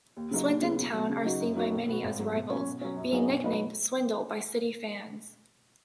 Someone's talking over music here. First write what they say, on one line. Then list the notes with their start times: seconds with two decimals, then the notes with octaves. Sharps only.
Swindon Town are seen by many as rivals, being nicknamed 'Swindle' by City fans.
0.17 D#2
0.31 C#3 F#3 D#4
0.48 D#2
0.63 C#3 B3
0.78 B1
0.93 B2 F#3
1.10 C#3
1.25 F#3 D#4 F#4 D#5
1.41 F#2
1.56 F#3 B3 D#4 F#4
1.71 B1
1.88 B2 B3 F#4
2.04 G#1
2.19 G#2 F#3
2.34 B2
2.50 F#3 C#4
2.66 B2
2.81 F#3 C#4
2.97 F#2
3.12 F#3 B3 D#4 G#4
3.28 B2
3.44 F#3 D#4 B4 D#5